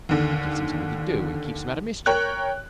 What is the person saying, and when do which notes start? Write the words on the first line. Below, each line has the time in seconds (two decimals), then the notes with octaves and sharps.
It gives him something to do and keeps him out of mischief.
0.09 D#2 D3
2.06 A#4 C#5 G5 F#6